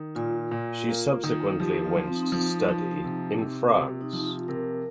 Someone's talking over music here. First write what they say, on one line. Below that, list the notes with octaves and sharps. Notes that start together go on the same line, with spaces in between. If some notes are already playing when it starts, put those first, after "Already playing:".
She subsequently went to study in France.
Already playing: D#3
A#2 F4
A#2
A#3
D#3
F3 G4
F4
F3
C4
D#4
C4
F3 D#4
F3
C3
C3
C3
D#4
F3 D#4
F4
C3 A#4